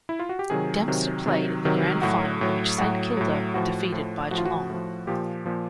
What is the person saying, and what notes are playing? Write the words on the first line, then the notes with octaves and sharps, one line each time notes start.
Dempster played in the grand final in which Saint Kilda were defeated by Geelong.
E4
F4
F#4
G4
C3 D#3 F#3 G#4
C3 D#3 F#3
C3 D#3 F#3
C3 D#3 F#3
A2 F#3 F#4
A2 F#3
A2 F#3 F#4
A2 F#3
A2 F3 F#4
A2 F3
A2 F3 F#4
F4
F#4
A2 F3
A#2 F3 G4
A#2 F3